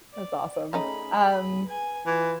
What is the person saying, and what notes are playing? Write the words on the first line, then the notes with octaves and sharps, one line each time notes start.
that's awesome, um,
D5
A3 C#4 D#4 G#4 B5
B4 G#5
E3 F4